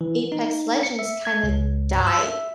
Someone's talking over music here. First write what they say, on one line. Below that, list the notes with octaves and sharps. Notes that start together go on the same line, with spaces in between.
Apex Legends, kinda, died
E3
D#4
C#7
E5
G#6
C#2
G2
E6
E5